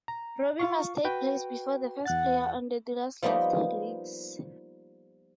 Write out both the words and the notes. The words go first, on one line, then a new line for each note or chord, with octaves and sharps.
Robbing must take place before the first player on the dealer's left leads.
A#5
F4 F5 C#6
F#4 B4 G5
E2 F#5 F#6 A6
F3 G3 A#3 B3 D#4